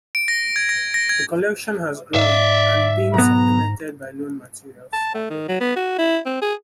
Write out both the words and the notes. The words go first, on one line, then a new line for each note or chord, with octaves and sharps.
The collection has grown and been supplemented by loan materials.
D7
A#6
G#6
A#6
A#6
G#6
G#2 D5 E5 F5
B1 B3 A#5
A5
A3
D#3
F#3
B3
F#4
E4
C4
G#4